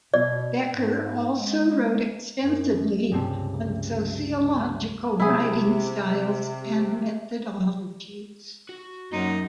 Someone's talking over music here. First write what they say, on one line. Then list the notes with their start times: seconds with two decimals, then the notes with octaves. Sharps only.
Becker also wrote extensively on sociological writing styles and methodologies.
0.14 B2 D5
0.69 G#2
1.37 G#3
2.41 F#2
3.12 C#2 G2 C3 C4 A5
5.20 C3 E4 G#4
8.69 F#4
9.12 F#2 A#3 D#4 C6